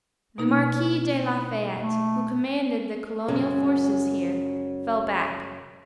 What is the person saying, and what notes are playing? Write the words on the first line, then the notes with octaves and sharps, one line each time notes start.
The Marquis de la Fayette, who commanded the colonial forces here, fell back.
B2 A#3 D#4
A3
F#2 C#3 F#3 G#3 C#4